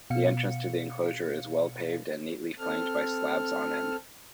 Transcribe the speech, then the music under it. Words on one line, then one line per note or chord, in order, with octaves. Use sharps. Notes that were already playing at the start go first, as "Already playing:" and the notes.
The entrance to the enclosure is well-paved and neatly flanked by slabs on end.
B2 F5 C#7
C4 A4 F6